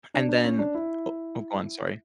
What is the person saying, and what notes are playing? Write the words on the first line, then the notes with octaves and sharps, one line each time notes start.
And then, o oh, go on, sorry.
D4
D4
C#4
D4
E4